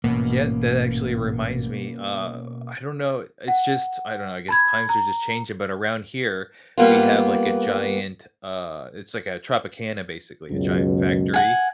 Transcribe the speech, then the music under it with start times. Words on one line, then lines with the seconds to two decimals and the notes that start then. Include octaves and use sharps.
Yeah, that actually reminds me, uh, I don't know, it's just I don't know, I guess times are just changing, but around here, we have, like, a giant, uh it's like a Tropicana, basically, a giant factory,
0.04 A1 G#2 B2 A#3 C#4
3.48 F#5
4.48 A5 B5 G#6
4.89 A#5
6.78 G3 A#3 B3 F4
10.50 C#2 F#2 B2
11.34 F#5 G#5